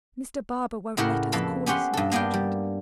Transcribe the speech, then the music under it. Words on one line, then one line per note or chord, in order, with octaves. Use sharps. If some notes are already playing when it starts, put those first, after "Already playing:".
Mr. Barbour won't let us call it an engagement.
A2 C#3 E4 G4 A#4 F#5
F2 A#3 A4 B4
B3 C#4 G4 F#5 C6
G2 A4
A#3 B3 D4 A#4 G5
G3